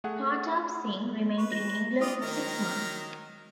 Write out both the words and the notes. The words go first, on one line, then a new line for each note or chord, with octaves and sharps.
Partap Singh remained in England for six months.
A3 G#4 F#5
B4 C#6
A#6 E7
E4 F4 D5 D#5 G5 D#6
D#3 F#3 A#4